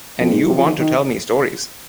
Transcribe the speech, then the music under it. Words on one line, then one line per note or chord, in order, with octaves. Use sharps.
And you want me to tell stories!
F2
G#2
C3
F3
D#3
D#3